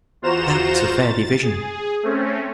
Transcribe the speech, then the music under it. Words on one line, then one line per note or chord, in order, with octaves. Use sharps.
That's a fair division.
E2 F4 F#4 C5 A#5 E7
A6
G#4
A3 C4 C#4